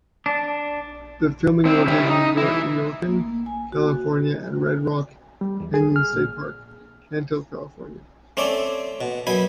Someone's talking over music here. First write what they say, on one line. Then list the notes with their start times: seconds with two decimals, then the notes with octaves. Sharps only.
The filming locations were Inyokern, California and Red Rock Canyon State Park, Cantil, California.
0.26 D4
1.65 C4 E4
1.87 C#4 E4 G4
2.10 D#4
2.37 E3 E4
3.07 A#3
3.46 G#5
3.72 F#4
5.41 G3
5.60 E2
5.74 G#4
5.96 F6
6.13 A#2
8.37 A3 C4 C#4 D5
9.01 B2
9.27 F#2 B2 B3 G#5 B5